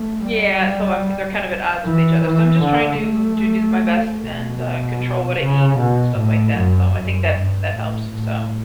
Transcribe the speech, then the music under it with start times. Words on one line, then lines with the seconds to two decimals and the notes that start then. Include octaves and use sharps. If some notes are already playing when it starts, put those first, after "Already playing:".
yeah. So I'm they're kind of at odds with each other, so I'm just trying to to do my best and, uh, control what I eat and stuff like that, so I think that that helps, so
Already playing: A3
0.28 G3
1.84 E3
2.25 E3
2.64 D3
3.02 A3
4.20 B2
5.39 C#3
5.78 B2
6.18 A2
6.56 F#2
6.96 F#2
7.35 G2
7.74 A2
8.13 A2